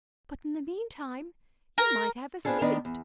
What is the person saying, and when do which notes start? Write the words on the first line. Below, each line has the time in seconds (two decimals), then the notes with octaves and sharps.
"But in the meantime you might have escaped."
1.78 A#4
2.45 B3 C4 D4 F4 G#4 A4
2.61 D#3 B3 D4 D5 D#5
2.85 E2